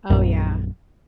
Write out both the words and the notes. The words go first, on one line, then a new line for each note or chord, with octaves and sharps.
Oh, yeah.
A#1 F#2